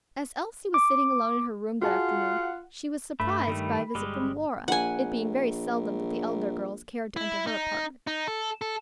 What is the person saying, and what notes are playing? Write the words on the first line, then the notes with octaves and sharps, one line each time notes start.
As Elsie was sitting alone in her room that afternoon she was surprised by a visit from Lora; it being very seldom that the elder girls cared to enter her apartment.
D6
F4 F#4 G#4 F#5 A5
G2 A3 B5
D#3 G3 A3
G1 G3 G#3
A#1 F#5 G#5
E4
D#4
D#4
A4
A4